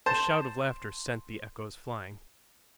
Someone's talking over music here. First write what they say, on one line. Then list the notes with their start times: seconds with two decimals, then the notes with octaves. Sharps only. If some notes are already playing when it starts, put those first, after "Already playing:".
His shout of laughter sent the echoes flying.
0.06 C5 A5